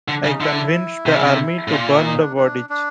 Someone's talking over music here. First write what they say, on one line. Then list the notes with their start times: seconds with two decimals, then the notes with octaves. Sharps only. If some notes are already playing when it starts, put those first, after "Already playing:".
I convinced the army to burn the bodies.
0.08 D3
0.16 D4
0.24 C#3
0.29 D#4
0.40 D3 E4
1.06 C3
1.14 C#3
1.23 C3
1.68 A2
1.72 A#2 F4
1.88 E4
2.05 D#4
2.21 D4
2.37 D4
2.69 D4